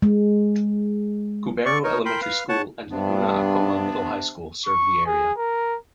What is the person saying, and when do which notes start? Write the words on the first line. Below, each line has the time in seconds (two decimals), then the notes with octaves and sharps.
Cubero Elementary School and Laguna Acoma Middle-High School serve the area.
0.02 G#3
1.66 D5 C#6
1.84 D#4 A#4 C#5
2.05 A#4 G5 B5 C6
2.22 B4 F5
2.49 C#5 F#5 A5
2.91 G2 C3 B3 D4
4.66 C#6
5.06 G#4
5.38 A#4